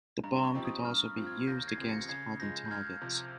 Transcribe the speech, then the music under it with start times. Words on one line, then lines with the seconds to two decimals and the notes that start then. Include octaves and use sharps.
The bomb could also be used against hardened targets.
0.24 G2 A#5
0.44 C#6
0.54 F3 C4 D#4 G4
0.65 D#6
0.85 G2 F6
1.06 F6
1.16 F3 C4 F4
1.27 F6 G#6
1.47 D#2 G6 A#6
1.68 G#6 C7
1.78 C#3 F3 C4 G4
1.88 A#6 C#7
2.09 C#3 G#6 C7
2.40 F3 G#3 G6 A#6
2.65 G6
2.70 C#2 F6 G#6
3.01 C3 F3